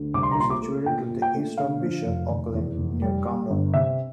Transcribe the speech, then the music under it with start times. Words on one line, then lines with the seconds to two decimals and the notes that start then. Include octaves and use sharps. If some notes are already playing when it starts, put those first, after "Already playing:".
It is situated to the east of Bishop Auckland, near Coundon.
Already playing: D2
0.14 C2 D6
0.23 C6
0.31 A#5
0.38 A#2 C6
0.50 D6
0.62 A3
0.86 A#2 G5
1.10 A#2
1.22 G5
1.34 A3
1.57 D3 F5
1.81 F3
2.06 F1
2.30 F1
2.55 E2
2.77 F1
3.02 G3
3.26 G3
3.50 G1
3.74 C3 E5